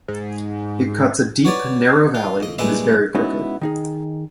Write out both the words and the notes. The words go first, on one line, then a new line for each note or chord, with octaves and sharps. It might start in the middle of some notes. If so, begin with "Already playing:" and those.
It cuts a deep, narrow valley and is very crooked.
G#2
F#4 B4 C#5 D5
F4
F2 D#5
A#1 G3 G#3 B4 D#5 E5
G#3 B3 C#4 D#4 E4 F#4
D#3 D#4 G#4